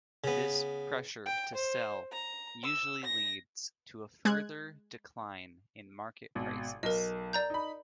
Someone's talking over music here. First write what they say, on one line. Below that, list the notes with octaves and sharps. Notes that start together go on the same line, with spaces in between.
This pressure to sell usually leads to a further decline in market prices.
C#3 B3
G5
C5
A#5
E6
A#6
G#3 F#6 G#6
G#1 B2
B1 A#4 D#5
D5 A#5 G6
D#4 B5